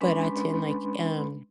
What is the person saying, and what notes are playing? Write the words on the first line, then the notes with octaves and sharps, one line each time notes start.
But I tend like um,
G#3 C#4 D4 B4 B5 C6